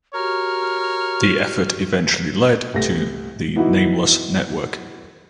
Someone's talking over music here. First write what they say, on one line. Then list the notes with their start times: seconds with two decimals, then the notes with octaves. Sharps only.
The effort eventually led to the Nameless Network.
0.14 F#4 G4 A#4 C#5 F6
2.74 C2 A3 A#6
3.56 E3 B3 D#4 E4 F#4